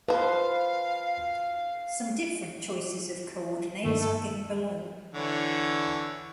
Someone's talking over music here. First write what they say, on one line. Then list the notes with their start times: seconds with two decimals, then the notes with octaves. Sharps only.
Some different choices of coordinates are given below.
0.08 F3 B4 C5 F5
3.83 G2 D#3 A3 A#3
4.01 A4
5.14 D3 E3 C#5